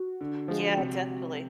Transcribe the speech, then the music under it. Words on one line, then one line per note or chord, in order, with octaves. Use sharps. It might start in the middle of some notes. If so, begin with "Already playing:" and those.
Yeah. Definitely.
Already playing: F#4
D3
F3 G#3
C3